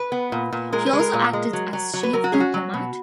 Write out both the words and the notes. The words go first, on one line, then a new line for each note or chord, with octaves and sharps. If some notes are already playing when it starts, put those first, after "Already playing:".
He also acted as chief diplomat.
Already playing: B4
B3
A#2
A#2
G#3 A#4
B4
G#3
A#4
A#2
G#3
F#3
F#3
F#3
B4
F#3 A#4
F#4
C#4 G#4
F#4
F#3
B2